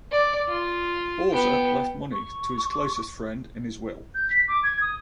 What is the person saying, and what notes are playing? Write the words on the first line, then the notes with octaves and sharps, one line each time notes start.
Borza left money to his closest friend in his will.
D5
F4
B3 G5
C#6
G6
B6
D6
G#6
D#6